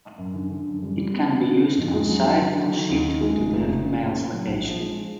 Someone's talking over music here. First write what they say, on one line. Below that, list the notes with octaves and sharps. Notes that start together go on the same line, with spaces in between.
It can be used on site or shipped to the female's location.
F#2
D3
D3
F#2
G3
G3
B3
D3
D#3
D#3
F2
G#3
F#3
D3
D3
F#3
D#3
D#2
D#3
G#3
F1
F1
C#3
C#3
A#2
A#3
F#3
A#1
F3
G#3
F3